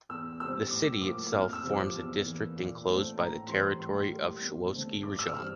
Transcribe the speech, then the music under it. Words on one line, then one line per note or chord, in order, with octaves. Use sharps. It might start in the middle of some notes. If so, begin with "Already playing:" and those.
The city itself forms a district enclosed by the territory of Sowetski Rajon.
E2 E6
C3 G3 C4 E6
A2 D6
F3 A#3 D6
F2 F6
E6
C3 F3 C4
D6
E2
E3 A#3
A#2
A3 C4
A2 A#5
E3 G3 C4 C6
A2 C6
G3 A#3
E2
D3 A3 C4
G2 D6
E6
E3 G3 C4 F6